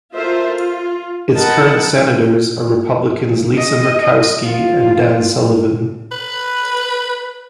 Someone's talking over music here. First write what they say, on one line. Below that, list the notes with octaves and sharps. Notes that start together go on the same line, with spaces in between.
Its current senators are Republicans Lisa Murkowski and Dan Sullivan.
F4 A4 A#4 C5 E5
F4
A#4 B4 D#5 F#5 A5
D#5
F4
B4